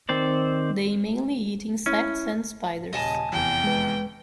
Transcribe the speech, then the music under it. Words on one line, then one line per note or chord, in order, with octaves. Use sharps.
They mainly eat insects and spiders.
D#3 C4 C5 D5
C#4 E4
D#1 C#3 D#5 G#5 A5
F1 E2 G5
G#3 B4